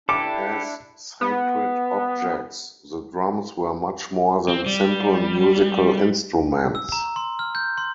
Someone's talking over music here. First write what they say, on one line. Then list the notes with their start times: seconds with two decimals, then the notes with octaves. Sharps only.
As sacred objects, the drums were much more than simple musical instruments.
0.09 D4 E4 G4 A4 D6
1.21 B3
4.48 C4
4.66 G3
6.75 E6
6.92 A#5
7.16 C6
7.39 F6
7.55 G6
7.78 C6